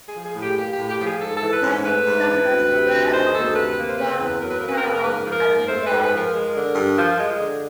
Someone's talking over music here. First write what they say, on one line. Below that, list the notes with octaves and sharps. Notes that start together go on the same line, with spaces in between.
Pope Cosmas I was from the town of Abu-Sair.
G#4
F3
G#4
A2
G4
A#3 G4
A2 G4
G4
F3 G4
G#4
G#2 A4
E3 A4
B4
G#2
A3 B4
G#2
E3
D2
C3
D2
D#3 C5
G#4
D2 A4
C3 B4
A#3
C5
C#3 B4
E2 B4
F#3 A#4
B4
A#3 A#4
B4
A#4
C#3 B4
A#4
G#2 B4
A#4
F3 B4
A#4
G#2
A3 C5
B4
G#2
B4
F3 A#4
G#3
D3
G2
F3
G#3
D3